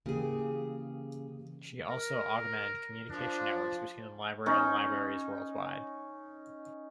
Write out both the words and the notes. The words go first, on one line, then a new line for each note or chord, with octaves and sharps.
She also augmented communication networks between the library and libraries worldwide.
C#3 E3 A#3 G4 G#4
A#4
F3 D4
C#4 D#4